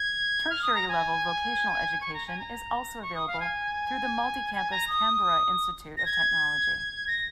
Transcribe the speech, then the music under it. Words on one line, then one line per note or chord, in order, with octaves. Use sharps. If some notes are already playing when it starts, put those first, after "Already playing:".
Tertiary level vocational education is also available through the multi-campus Canberra Institute of Technology.
Already playing: G#6
F6
D#6
A#5
G#5
C#6
A#5
G#5
A#5
C#6
D#6
F5
G#5
G#5
A#5
D#6
A#6
G#6
A#6